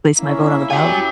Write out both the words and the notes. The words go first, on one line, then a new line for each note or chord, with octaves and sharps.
placed my vote on the ballot.
A#3 C#4 E4
C#4 F#4 G4 G#5